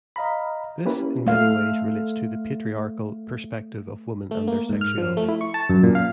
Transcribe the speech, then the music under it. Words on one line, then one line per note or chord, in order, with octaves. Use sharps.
This, in many ways relates to the patriarchal perspective of women and their sexuality.
D#5 F5 A#5 B5
A#3 C#4 E4 G4 B4
A3 F5
A3
A#3
G#2
F6
F3
A3
E4
C#6
A5
F#2
A#2
F5